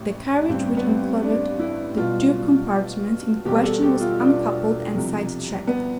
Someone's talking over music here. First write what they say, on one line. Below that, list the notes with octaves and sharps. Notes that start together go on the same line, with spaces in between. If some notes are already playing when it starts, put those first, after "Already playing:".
The carriage which included the two compartments in question was uncoupled and side-tracked.
Already playing: A1 A2
A1 G2 D3 G3 C4
B3
C4
D4
E4
B1 B2 G3 F4
E1 E2 B2 G3 G4
A4
G4
F4
D4
C2 C3 F3
B3